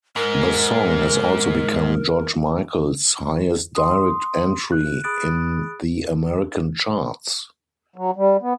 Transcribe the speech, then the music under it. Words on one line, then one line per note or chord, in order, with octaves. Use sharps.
The song has also become George Michael's highest-direct entry in the American charts.
G#2 A#4
C6 D#6
F#6
G#4 B5 D#6 F#6 A6 D7
F#3
G3
B3